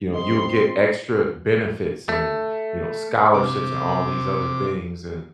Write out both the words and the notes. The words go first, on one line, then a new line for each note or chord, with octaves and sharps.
you know, you'll get extra benefits and, you know, scholarships and all these other things, and
C4 D#5 C6
A3
C3 D6